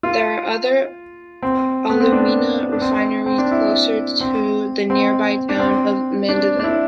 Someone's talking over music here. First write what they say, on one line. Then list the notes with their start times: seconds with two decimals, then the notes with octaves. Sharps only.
There are other alumina refineries close to the nearby town of Mandeville.
0.03 F4
1.43 C4
1.90 B3
2.01 C4
2.12 D4
2.72 D4
2.82 C4
3.26 C4
3.38 D4
3.51 E4
4.21 C4
4.90 C4
5.49 D4
5.59 C4
6.29 D4
6.59 D4
6.64 E4